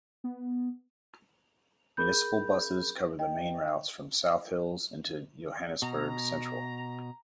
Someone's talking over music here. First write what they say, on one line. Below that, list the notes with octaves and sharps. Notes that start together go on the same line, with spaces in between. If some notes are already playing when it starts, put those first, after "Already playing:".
Municipal buses cover the main routes from South Hills into Johannesburg Central.
B3
G#4 A#4 B5 G6
D#5 G5
B2 A#5